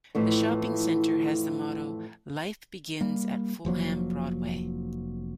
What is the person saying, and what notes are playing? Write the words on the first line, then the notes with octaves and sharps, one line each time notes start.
The shopping centre has the motto "Life Begins At Fulham Broadway".
F2 A2 E3
G3 A#3
F1 F3 F#3 A#3